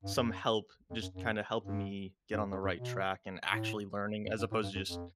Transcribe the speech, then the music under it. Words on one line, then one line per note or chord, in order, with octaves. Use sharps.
some help, just kinda helping me get on the right track and actually learning as opposed to just
G2
F#2
F2
F#2
F#2
G2
G2
F#2
F#2
F#2
B2
A2
F#2
G2
A2
G2
F#2
F2